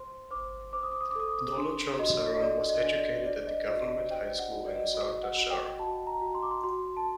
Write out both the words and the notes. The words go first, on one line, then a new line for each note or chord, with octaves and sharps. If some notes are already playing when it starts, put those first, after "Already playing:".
Daulatram Saran was educated at the government high school in Sardarshahar.
Already playing: C5 C6
C5 D6
C5 D6
D#6
D6
D#6
D6
A4 D#6
D6
D#6
D6
D4 C6
F#4 D#5
D#5
A4 D5
D#5
D4
D5
C5 D5
D#5
F#4 D#5
D#5
C5 G5
F#5
F#4
D5
D#5
D5
F#4 D#5
F#5
F#4
G5
F#4 A5
A#5
F#4
C6
D6
C6
F#4 C6
A5